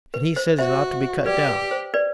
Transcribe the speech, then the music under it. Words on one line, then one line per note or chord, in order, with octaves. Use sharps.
And he says it ought to be cut down.
B4
C5
F#4 C5 E5
G4 B4 D5
B4
C5
B4 D5